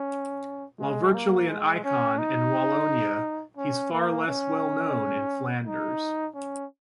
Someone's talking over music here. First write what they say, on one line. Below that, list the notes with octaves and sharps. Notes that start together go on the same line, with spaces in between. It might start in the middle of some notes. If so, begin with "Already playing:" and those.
While virtually an icon in Wallonia he's far less well known in Flanders.
Already playing: C#4
G#3
A#3
G#3
C#4
D#4
C#4
A#3
C#4
D#4
C#4